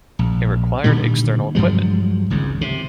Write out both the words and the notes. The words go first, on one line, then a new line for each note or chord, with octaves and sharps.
It required external equipment.
A#1
A#2 D3 D#3 G3
G2 F3 F#3 G#3
G#1 C#2 G#2
C3